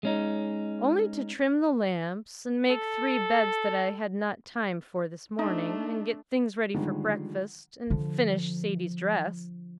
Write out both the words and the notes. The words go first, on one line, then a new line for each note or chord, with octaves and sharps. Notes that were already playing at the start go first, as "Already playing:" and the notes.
"Only to trim the lamps, and make three beds that I had not time for this morning, and get things ready for breakfast, and finish Sadie's dress."
G#3 C#4 D#4
A4
A3 D4 D#4
D3 D#3 F3 G3 G#3
D3 F3